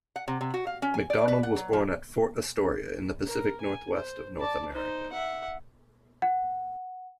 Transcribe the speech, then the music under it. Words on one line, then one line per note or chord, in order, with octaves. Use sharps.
MacDonald was born at Fort Astoria, in the Pacific Northwest of North America.
F#5
C3
C3
F#4
F5
C#4
G#5
D5
B4
F#5
F#3
F3
A#4
G#5
C5
D5 A5
D#4 C5
E5 F#5
F#5